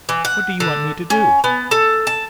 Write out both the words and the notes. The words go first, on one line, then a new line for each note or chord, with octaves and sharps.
"What do you want me to do?"
E3
F#5
D3
C#4
B3
A4
A5